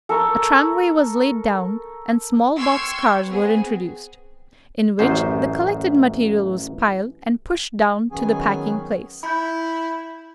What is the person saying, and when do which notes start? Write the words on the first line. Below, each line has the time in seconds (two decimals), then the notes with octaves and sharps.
A tramway was laid down and small box-cars were introduced, in which the collected material was piled and pushed down to the packing place.
0.09 A4 A#4 C#6
2.56 G5 C6 C#6 E6 F6 G#6
3.26 B3 C4 G#4
4.99 A1 F#2 C5
8.11 D#3 F#3 B3 C#4 G#4 G#5
9.23 E4 B5 G6